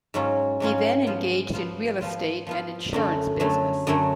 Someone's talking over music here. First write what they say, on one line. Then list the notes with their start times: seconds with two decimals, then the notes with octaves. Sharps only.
He then engaged in real estate and insurance business.
0.14 G#2 F#3 C#4 F4
0.60 G#2 F#3 C#4 F4
1.06 F3 B3 F4
1.53 F3 B3 F4
2.01 F3 B3 F4
2.47 F3 B3 F4
2.93 F#2 D3 F#3 A3
3.40 F#2 D3 F#3 A3
3.87 F#2 D3 F#3 A3